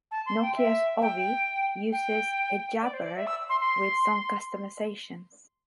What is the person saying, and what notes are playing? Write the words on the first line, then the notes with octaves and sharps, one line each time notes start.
Nokia's Ovi uses ejabberd with some customizations.
A5
C6
G5
E5
G5
G5
D5
C5
D5
E5
E6
C6
C6